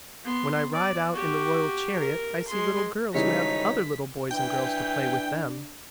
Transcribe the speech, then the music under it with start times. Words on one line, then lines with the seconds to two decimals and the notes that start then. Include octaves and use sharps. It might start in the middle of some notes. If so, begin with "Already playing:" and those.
When I ride out in the royal chariot I see little girls who have other little boys and girls to play with them.
0.25 B3 C6
0.72 D5
1.13 F#4 G4
1.99 A#4
2.48 G#3 C6
3.14 G#1 C#3 E3 G3 D#4 C#5 B6
4.31 E3 D4 G5